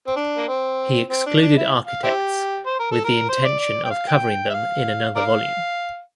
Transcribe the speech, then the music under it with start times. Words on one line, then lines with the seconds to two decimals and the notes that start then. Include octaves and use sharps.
He excluded architects with the intention of covering them in another volume.
0.07 C4
0.16 D4
0.36 A#3
0.48 C4
1.10 C4
1.26 D4
1.42 D4
1.57 E4
1.87 F5
2.04 C4 E4 G4
2.66 C5
2.79 A#4
2.91 A4
3.04 A#4
3.29 C5
3.44 D5
3.59 D5
3.84 G5
3.90 F5
4.07 G5
4.49 E5
4.54 F5
5.16 A#4 D5 F5